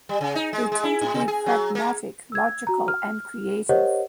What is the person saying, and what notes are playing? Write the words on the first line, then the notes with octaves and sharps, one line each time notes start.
They tend to be pragmatic, logical, and creative.
G3
C#3
D#4
G#3
G#3
E4
A2
C3
G#4
F#3
A#3
E6 G#6
F#4 A#5
F6
G4 A#4 C5 C#5 D#5 F#5